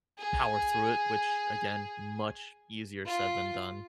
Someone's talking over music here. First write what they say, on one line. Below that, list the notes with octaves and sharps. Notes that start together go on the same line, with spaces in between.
power through it, which again much easier said than done.
G#4
F4